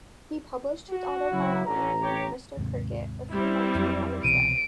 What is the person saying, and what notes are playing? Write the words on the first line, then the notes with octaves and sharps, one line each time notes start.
He published his autobiography "Mr Cricket" a few months before his death.
F#4
C#3 F#3 E4
A1 D3 C#4 A#5
G4 C#5
D#2 G#2 C3
G3 C4 E4
F2 F#3 D4
C2 B2 E3 D7 D#7